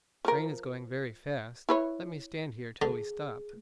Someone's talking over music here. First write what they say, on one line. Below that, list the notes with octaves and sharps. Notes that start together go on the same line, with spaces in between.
"The train is going very fast, let me stand here till we stop."
F3 A#4
E4 B4 C#5
D3 G#4